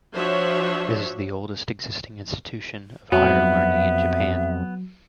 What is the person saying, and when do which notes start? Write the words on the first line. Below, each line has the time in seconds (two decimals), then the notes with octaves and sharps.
This is the oldest existing institution of higher learning in Japan.
0.14 F3 D4 F#4 C5 C#5 E5
3.12 F2 F#3 B3 E5